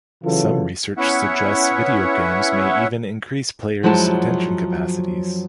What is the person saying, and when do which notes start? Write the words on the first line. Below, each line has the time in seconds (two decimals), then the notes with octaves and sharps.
Some research suggests video games may even increase players' attention capacities.
0.24 C#3 E3 F#3 F4 A4
0.97 B3 C#4 E4 C#5 E5 F#5
3.83 F#2 F3 F#3 G#3 E4 A5